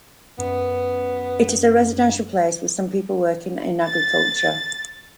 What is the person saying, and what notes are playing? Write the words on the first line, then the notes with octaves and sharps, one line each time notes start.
It is a residential place with some people working in agriculture.
F#2 B3
A6